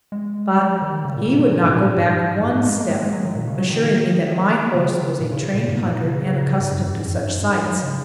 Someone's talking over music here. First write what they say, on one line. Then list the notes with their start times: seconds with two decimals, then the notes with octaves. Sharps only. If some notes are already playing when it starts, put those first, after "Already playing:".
But he would not go back one step, assuring me that my horse was a trained hunter and accustomed to such sights.
0.12 G#3
0.59 F#3
0.82 D#3
1.05 C#3
1.17 A#2
1.28 A#2
1.40 C#3
1.51 A#2
1.63 G#2
1.73 A#2
1.86 A#2
1.97 G#2
2.43 G#2
2.55 G#2
2.66 G#3
2.78 A#3
2.89 G#3
3.01 G#3
3.13 F#3
3.25 D#3
3.35 A#2
3.47 C#3
3.59 F#3
3.70 D#3
4.75 C#3
4.89 D#3
5.20 A#2
5.32 C#3
5.43 C#3
5.55 A#2
5.67 G#2
5.78 G#2
5.90 A#2
6.02 C#3
6.59 G#2
6.71 F#2
6.82 F#2
6.94 G#2
7.05 F#2
7.18 G#2
7.28 F#2
7.39 G#2
7.66 F#3
7.83 C#3